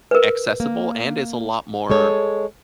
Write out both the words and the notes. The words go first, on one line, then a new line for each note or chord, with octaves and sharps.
accessible and is a lot more
A#4 B4
A#3
G#3 A4 C#5